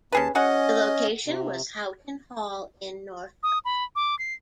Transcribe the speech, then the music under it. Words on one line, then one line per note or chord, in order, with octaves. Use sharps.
The location was Houghton Hall in Norfolk.
D#2 C#4 G#4 B4 A5
C#4 F#4 G#4 D#5 F#5
C3
D#6
B5
D6
C7